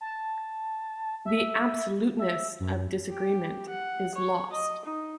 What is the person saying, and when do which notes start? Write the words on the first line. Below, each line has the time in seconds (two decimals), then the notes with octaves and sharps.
The absoluteness of disagreement is lost.
0.01 A5
1.25 E5
2.19 E5
2.60 F#2
3.10 G4
3.69 F#5
4.15 C#5
4.52 D#5
4.85 D#4